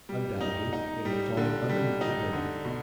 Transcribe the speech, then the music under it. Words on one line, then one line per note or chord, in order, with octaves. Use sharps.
Undoubtedly it had fallen underneath the bear.
G3
D#4
D#4
G3
D3
G3
D#4
D3
B2